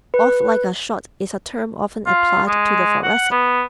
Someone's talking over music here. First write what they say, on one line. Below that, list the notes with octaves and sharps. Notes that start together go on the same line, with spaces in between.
"Off like a shot" is a term often applied to the Thoracic.
B4
F4
G#3
F#5
B3